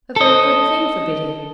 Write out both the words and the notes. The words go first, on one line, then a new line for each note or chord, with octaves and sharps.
A very good thing for Biddy.'
A4 D#5